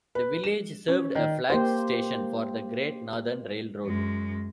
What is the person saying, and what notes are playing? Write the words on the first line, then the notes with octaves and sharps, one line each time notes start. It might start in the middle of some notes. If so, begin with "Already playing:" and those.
The village served a flag station for the Great Northern Railroad.
B4
E7
C#4
D#3
A#3 G4 C5
F#2 G#3